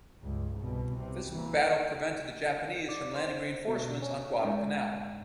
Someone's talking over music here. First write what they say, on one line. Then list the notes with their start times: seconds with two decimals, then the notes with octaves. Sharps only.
This battle prevented the Japanese from landing reinforcements on Guadalcanal.
0.22 C#2 G2
0.56 C2 B2
1.00 C3
1.31 E3 A#3
2.89 D5
3.16 C5
3.68 B2
4.02 C#4
4.45 G#2